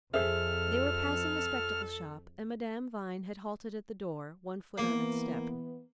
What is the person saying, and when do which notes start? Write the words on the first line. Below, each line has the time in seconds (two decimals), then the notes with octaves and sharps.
They were passing a spectacle shop, and Madame Vine had halted at the door, one foot on its step.
0.14 F2 G#4 A4 C5 E5 F6
4.78 E3 A#3 B3